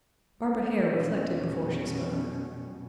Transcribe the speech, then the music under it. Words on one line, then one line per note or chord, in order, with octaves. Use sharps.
Barbara Hare reflected before she spoke.
F1 B2 F#3 G3 C#4